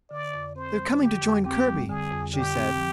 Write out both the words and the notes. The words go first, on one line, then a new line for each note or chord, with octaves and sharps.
"They're coming to join Kirby," she said.
D3 D5
F2
C4 C5
G3
D3 G4
F2
C4 G4
G3
D3 G#4
F2
D3 G4
C4
F3